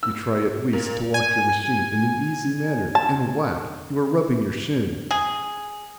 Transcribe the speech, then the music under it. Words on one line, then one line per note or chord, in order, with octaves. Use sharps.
You try at least to walk your machine in an easy manner, and whack!--you are rubbing your shin.
E6
A#2
G#5
A5
G#4